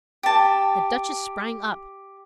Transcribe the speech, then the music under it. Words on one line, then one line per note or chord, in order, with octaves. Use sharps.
The Duchess sprang up.
G4 A5